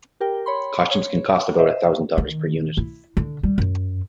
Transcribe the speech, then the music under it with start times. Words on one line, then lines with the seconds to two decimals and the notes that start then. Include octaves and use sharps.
Costumes can cost about a thousand dollars per unit.
0.21 G4 A#4 G5
0.46 C#5 B5 C6
0.91 C#5
1.58 C5 D#5 E5
2.18 D#3
2.77 E4
3.17 D3
3.43 G3
3.58 F#2